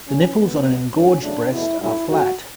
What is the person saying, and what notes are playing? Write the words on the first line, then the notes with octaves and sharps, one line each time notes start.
The nipples on an engorged breast are flat.
D2 D3 G3 C#4
D2 D3 A3 B3
D2 C#3 G3
G2 D3 F#3 C#4
E2 C#3 F#3 A3 D4
E2 B2 A3 E4
G2 F#3 A3 E4
F#2 D3 A3 F#4